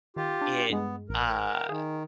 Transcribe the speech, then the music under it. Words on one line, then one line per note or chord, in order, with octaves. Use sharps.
it, uh
D#3 F4 G4
D4
G2 G#3 B3
A1 A#4
D#3 G#4